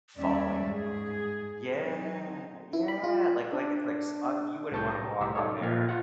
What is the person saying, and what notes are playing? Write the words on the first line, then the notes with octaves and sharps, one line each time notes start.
falling apart. Yeah, yeah, like like it's like s and you wouldn't wanna walk on there.
D#2 G3 G#3 C#4 D5 E5
G#2 G#4
F#3 C4 D#4
E4
B5
F4
D4
C2 A2 A5 C#6 G6
A#5
C2 A2 G4 E6
D#4 A4 C#5
A#2 F3 A#4 F6
F4 F#5